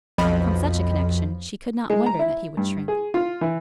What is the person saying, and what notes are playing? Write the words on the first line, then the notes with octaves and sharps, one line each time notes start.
From such a connection she could not wonder that he would shrink.
B1 F2 F3 D#5 B5
G#3
A#5
E4
G2
G#4
F4
E3